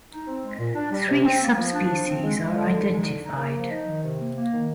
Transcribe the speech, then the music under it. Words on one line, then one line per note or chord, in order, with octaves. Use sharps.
Three subspecies are identified.
D#4
C4
G#3
A#2
D4
G3
C3
C4
A#3
F3
D4
F3
C4
G#3
G#3
D3
D#4
G#3
D3
D#4
A#3
F3
D#4
D#3
C3
A#3
A#3
D#3